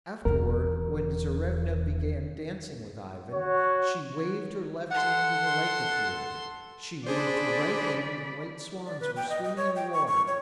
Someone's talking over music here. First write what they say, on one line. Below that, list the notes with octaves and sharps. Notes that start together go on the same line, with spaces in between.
Afterward, when Tsarevna began dancing with Ivan, she waved her left hand and a lake appeared; she waved her right hand and white swans were swimming in the water.
E1 E2 A#4
F#4 C#5
A4 F#5 C6
D4 G#4 C5 D5 B5
D5
B4
G5
D#5
D#5
C#5
G5
C#6
C#6
C#5